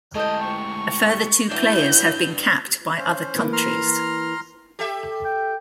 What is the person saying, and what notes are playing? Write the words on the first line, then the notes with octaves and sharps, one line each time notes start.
A further two players have been capped by other countries.
G#3 A3 E4 G4 D#5 G5
C#6
E3 F#3 D4 E4 B4 G6
C#4 C5
E3 A#3
A#5 C6 F6
G4 A4 E5
G5